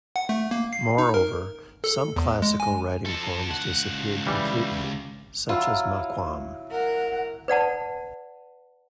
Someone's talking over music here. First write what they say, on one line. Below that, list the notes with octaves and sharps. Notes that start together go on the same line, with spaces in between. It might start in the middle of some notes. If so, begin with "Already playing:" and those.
Moreover, some classical writing forms disappeared completely, such as Maqam.
F#5
A3
A#3
C7
D#4
A#4
A4
E2
G#3
G#5
F3 A4
C#2 F#5
E3 G3
F#3 E4 F4
A#4 F#5
B4 D5 F#5 A5